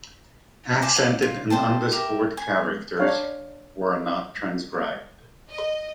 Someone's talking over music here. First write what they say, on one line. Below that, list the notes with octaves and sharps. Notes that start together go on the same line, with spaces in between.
Accented and underscored characters were not transcribed.
C5 D5 G#5 A5
D5 F5 F#5 A5
F4
A4 C5 G5 A5
G4 A#4 E5
G#5
D4 C#5 F5
D#5